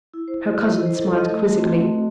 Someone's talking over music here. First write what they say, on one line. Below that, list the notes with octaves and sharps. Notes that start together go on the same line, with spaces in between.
Her cousin smiled quizzically.
E4
C5
A4
D#5
E4
C5
A4
D#5
A3
F#4
C4
A3
A3